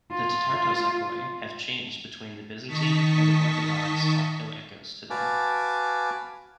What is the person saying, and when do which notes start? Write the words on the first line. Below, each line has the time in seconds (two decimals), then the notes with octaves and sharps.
The tetartos echoi have changed between the Byzantine and the Orthodox octoechos today.
0.11 F4
2.67 D#3 D#5 A5 C#6 B6
5.10 F#4 B4 F5 G#5 A5 D6